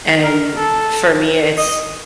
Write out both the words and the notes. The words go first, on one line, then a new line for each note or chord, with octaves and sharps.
and for me, it's
A#4
A4
D#5